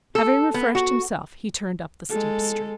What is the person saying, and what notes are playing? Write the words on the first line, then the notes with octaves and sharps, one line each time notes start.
Having refreshed himself he turned up the steep street.
A4
B3
F#4
G#3 A4